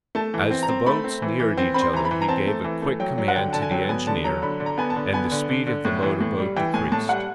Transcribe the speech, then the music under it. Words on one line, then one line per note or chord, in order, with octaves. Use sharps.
As the boats neared each other he gave a quick command to the engineer, and the speed of the motor-boat decreased.
A3 A5
E3
C4
A#5
C4
A3 B5
C4
E3
E3
C4
C4 B5
C6
E3 A#5
B5
E3
A#5
C4 A5
A3
E3
A3
F#3 G5
F#3
F#5
D3 G5
D3 A5
G#5
F#3 G5
B3 G#5
D3 A5
F#3 A#5
D3 B5
D3
A#5
B3 G#5
A5
D3
B3 G#5
D3
D3
D3
A2
E3
A2
G3
E3 G5
A2 G#5
A2 A5
G3 F#5